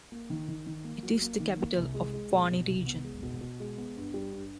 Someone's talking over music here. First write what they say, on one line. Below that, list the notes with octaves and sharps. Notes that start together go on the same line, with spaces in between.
It is the capital of Pwani Region.
A#3
D#3
D#3
D#3
A#3
F#3
A#3
D#3
A#3
C2
G#3
G#3
B2
B2
C2
B3
G#3
B2
B2
G#3
B3
G2
G3
G2